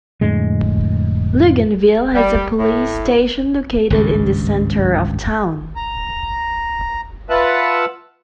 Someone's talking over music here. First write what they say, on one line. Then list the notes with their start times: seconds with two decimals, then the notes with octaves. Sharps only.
Luganville has a police station located in the centre of town.
0.21 F2 A2 D3 G#3
2.15 G3
2.59 A2
3.90 G#1 C#2 G2
5.76 A#5
7.30 F4 B4 E5 F#5 A5